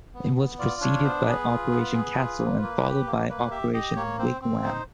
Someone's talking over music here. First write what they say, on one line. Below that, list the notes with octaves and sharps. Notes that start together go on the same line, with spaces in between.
It was preceded by "Operation Castle", and followed by "Operation Wigwam".
B3
B3
F4 D5
D4 C#5
B3 C5
G#4 B4
F4
B3
G#4
F4
A#3
A#3
G4
A#3
A#3 B4
G4 E5
G4 D#5
A#3 C#5
C4 C5
C4
D#4 C5